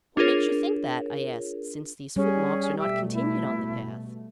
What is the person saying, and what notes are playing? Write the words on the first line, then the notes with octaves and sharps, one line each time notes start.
"What makes you think that?" I asked, "since these footmarks are not continued on the path?"
D4 F4 G#4 A#4 C#5
G3 C#4 G#4
B2 A3 G4 E5 E6
E4